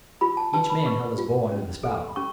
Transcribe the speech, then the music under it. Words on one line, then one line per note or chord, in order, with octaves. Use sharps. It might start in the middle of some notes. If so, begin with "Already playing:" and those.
Each man held his bowl under the spout.
F4 B5
A5
B4 A5
B5
B5
B4 C#6
F4
C#4
A4
B5
C#4 C#6